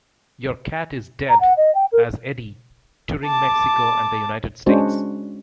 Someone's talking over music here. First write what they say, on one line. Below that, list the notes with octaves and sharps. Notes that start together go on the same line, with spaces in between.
Your Cat Is Dead as Eddie, touring Mexico and the United States.
A#5
F#5
D#5
G5
A#4
A5 D6
G#3 C#4 D4 F#4 C5